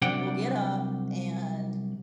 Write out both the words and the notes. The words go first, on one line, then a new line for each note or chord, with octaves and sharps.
will get up and
C2 C3 F#3 D4 F#5 G5